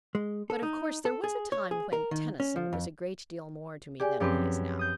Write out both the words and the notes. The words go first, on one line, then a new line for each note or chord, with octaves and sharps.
'But of course there was a time when Tennyson was a great deal more to me than he is now.'
G#3
A4
D#4
A4
G#4
C#5
G#4
A#4
D#3
C#4
F3
F2
G4 G#4 D5 G#5
F#2 F3 C4 G4 B4
D#6 G6